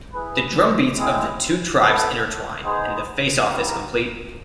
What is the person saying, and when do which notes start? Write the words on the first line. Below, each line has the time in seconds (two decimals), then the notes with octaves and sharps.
The drum beats of the two tribes intertwine, and the face off is complete.
0.13 E4 G#4 B4
0.97 G#3 C4 E4 G#4
1.81 B3 E4 A4
2.64 B3 D#4 G#4 C5
3.48 E4 G4 A#4